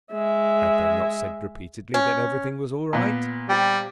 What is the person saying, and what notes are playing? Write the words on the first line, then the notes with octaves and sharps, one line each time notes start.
Had they not said repeatedly that everything was all right?
G#3 E5
C#4
A#2 B3
G3 G4 C5 G5